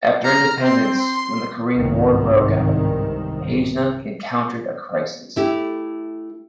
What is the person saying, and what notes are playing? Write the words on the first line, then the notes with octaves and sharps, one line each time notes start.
After independence, when the Korean War broke out, Haeinsa encountered a crisis.
A#5 F6
C4 C6
C6
G1 C2 G#2 C3 D#3
A3 E4 G4